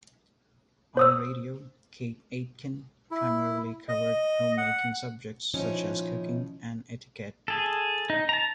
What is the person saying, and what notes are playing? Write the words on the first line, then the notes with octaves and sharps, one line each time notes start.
On radio, Kate Aitken primarily covered homemaking subjects such as cooking and etiquette.
C5 D#6 E6
E4
D#5
F#5
A#2 D#3 F3 C#4 D#4 E4
G#4 A4
D#4
A5 A#5